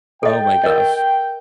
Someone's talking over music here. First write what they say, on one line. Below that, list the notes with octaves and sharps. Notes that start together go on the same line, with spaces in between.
Oh my gosh,
A4 D#5 G5
A#4 D#5